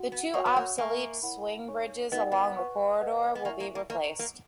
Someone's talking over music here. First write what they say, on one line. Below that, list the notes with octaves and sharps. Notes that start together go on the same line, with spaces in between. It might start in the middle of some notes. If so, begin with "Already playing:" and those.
The two obsolete swing bridges along the corridor would be replaced.
Already playing: F#4 F#5
B3
A#3 F#4 C#5 F#5 C#6
B3
A#3
A#3 A#4 E5 G#5 C#6
E4 A#4 C#5 F#5 B5
D#4 A#4 C#5 G#5 C#6
B3 D#4 F#4 A#4 D#5 F#5
B3
B4 F#5 C#6
B4 D#5 F#5
B3
A#3 E4 A#4 E5 G#5 C#6
A#3
A#3
A#3 B4 D#5 A#5 C#6
A#3